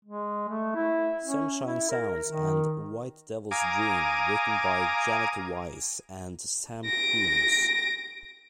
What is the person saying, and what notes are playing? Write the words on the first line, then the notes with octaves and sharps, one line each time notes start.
"Sunshine Sounds" and "White Devil's Dream" written by Janet Weiss and Sam Coomes.
G#3
A3
E4
C#4
E4
A#4
D#3
F5 G#5 A#5 D6 D#6
A#6 D7